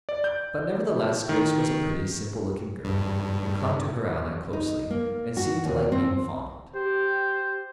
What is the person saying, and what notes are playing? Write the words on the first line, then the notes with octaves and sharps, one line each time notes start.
But, nevertheless, Grace was a pretty, simple-looking girl, and clung to her ally closely, and seemed to like being fondled.
D5
G6
D#3
G2
D#4
A#3
F#4
D#2
C4
G4 C5